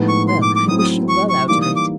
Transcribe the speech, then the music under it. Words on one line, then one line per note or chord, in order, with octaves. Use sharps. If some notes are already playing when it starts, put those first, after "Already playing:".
'Well, I wish you well out of it.'
Already playing: A2 F3 G#3 B3 D#4
C#6
C6
D6
D6
F#3 A3 C4 E4 D#6
D#6
C#6
C#6
E3 G3 A#3 D#4 D6
D#6
D6